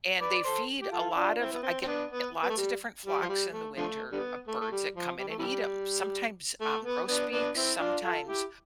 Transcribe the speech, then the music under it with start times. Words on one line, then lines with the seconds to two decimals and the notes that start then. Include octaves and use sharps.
and they feed a lot of I get lots of different flocks in the winter of birds that come in and eat 'em. Sometimes, um, grosbeaks, sometimes,
0.20 B4 D5
0.34 D5
0.44 A4 C5
0.81 G4
0.91 F4 A4
1.10 E4
1.15 D4 F4
1.39 C4 E4
1.52 B3
1.63 C4
1.82 C4
1.86 B3 D4
2.11 B3
2.43 B3
2.50 A3
2.57 G3
3.06 G3
3.22 F3
3.29 G3
3.52 A3
3.77 D3 F3 A3
4.12 D3 G3 B3
4.47 A3
4.61 A3
4.72 G3
4.95 F3
5.18 G3
5.28 A3
5.39 C3 E3 G3
6.61 A3
6.85 B3
7.08 B3 D4
7.32 B3 D4
7.55 C4 E4
7.79 D4 F4
8.03 F4 A4
8.26 E4 G4